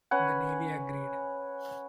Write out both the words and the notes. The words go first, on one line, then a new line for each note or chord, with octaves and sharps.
The Navy agreed.
C#4 B4 F#5 G#5